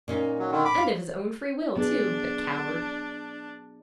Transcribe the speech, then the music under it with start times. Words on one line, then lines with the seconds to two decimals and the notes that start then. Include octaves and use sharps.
And of his own free will, too, the coward!
0.08 A#2 C#4 D#4
0.39 F#3
0.52 D3 D#3
0.65 B5 D6
0.78 F5
1.76 F#3 B3 D4 G#4